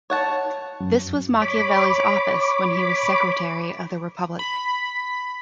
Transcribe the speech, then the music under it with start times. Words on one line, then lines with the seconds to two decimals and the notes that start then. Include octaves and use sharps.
This was Machiavelli's office when he was Secretary of the Republic.
0.10 C#5 F#5 A5
0.81 F#2
1.42 C#5 B5 D6
4.39 B5